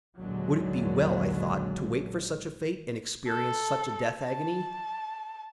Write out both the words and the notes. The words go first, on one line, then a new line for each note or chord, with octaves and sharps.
Would it be well, I thought, to wait for such a fate, and experience such a death-agony?
A#1 D#2 D3 F#3 G#3
A4
A5